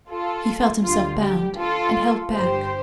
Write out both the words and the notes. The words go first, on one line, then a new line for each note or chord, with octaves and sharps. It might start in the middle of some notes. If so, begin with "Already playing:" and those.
He felt himself bound and held back.
F4 A4
D2 D3 G3 F4
G4
F4 A4
G1 G2 G3 G4 C5